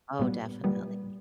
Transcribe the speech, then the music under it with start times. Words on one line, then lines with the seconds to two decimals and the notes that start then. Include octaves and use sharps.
Oh, definitely.
0.19 A#2 G3 B3
0.64 A#2 G3 B3